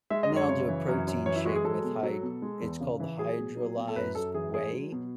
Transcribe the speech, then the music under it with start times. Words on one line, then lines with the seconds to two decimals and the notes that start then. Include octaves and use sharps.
and then I'll do a protein shake with hy It's called hydrolyzed whey,
0.10 G#3 E5
0.23 D#5
0.30 F#2
0.36 C#5
0.49 C#3 C#5
0.68 E3
0.88 F#2
1.07 F#2
1.26 E3 C#5
1.36 E4
1.45 G#3 F#4
1.55 G#4
1.64 F#3 A4
1.84 B2
2.03 F#3
2.23 B2
2.42 G#3
2.61 E2
2.80 C#3
3.00 E3
3.19 F#3 G#4
3.38 B2
3.57 F#3
3.77 B2
3.88 A4
3.96 F#2 B4
4.15 F#2 A4
4.34 E3 G#4
4.54 G#3 G#4
4.73 F#3
4.92 B2